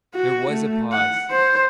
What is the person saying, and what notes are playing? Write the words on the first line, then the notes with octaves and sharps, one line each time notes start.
There was a pause.
F#4
A3
F#5
C5